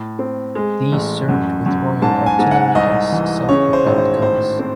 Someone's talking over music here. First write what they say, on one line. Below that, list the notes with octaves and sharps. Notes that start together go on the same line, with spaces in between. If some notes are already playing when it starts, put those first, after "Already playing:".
These served with Royal Artillery as self-propelled guns.
Already playing: A2
C4
G#3
A1
F#2
F#2
G#2 A5
G#5
G#2
F#5
C2 D#5
E3
C#3 C#5
C5
G#1
C5
A2 C5
C4